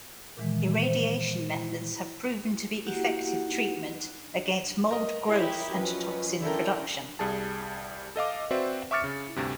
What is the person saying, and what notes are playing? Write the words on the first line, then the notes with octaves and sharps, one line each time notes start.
Irradiation methods have proven to be effective treatment against mold growth and toxin production.
A#2 D#3 E3 G#3
C5
A#3 E4 F#4 G4 F#5
A#4 D#5
E4 G4 C#5
F3 F#3 C#4 B4
D3 C#4 E4 A4 A#4 G5
C2 G3 G#4 A5
A4 D#5 F5 D6
C4 F#4 B4 C5 D5 E5
E5 C#6 D6 F6 A6 C#7
C#3
D2 G2 C3